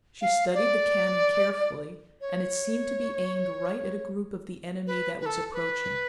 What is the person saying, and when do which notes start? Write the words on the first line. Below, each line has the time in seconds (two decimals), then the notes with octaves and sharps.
She studied the cannon carefully and it seemed to be aimed right at a group of the enemy that was approaching.
0.22 F5
0.54 D5
2.21 C#5
4.87 B4
5.21 B4
5.26 A4
5.54 B4